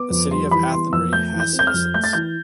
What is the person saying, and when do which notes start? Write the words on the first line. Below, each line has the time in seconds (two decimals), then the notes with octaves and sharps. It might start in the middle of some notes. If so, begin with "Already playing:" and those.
The city of Athenry has citizens.
Already playing: B3 D6
0.10 F2
0.31 G3 C6
0.51 E3 B5
0.72 B3 C6
0.92 F2 E6
1.13 A3 G6
1.33 E3
1.40 G6
1.53 C4
1.59 G6
1.67 F6
1.74 F2
1.94 A3 G6
2.04 A6
2.13 E3 G6